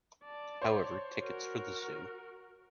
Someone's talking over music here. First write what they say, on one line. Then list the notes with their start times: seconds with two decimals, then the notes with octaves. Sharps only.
However, tickets for the zoo?
0.24 D5 A5
0.62 C5 C#5
1.22 F#4 A#4